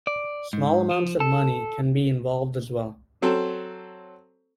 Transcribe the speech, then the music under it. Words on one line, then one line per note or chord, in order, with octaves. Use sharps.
Small amounts of money can be involved as well.
D5
G#2
F3
A4
F#3 C4 A4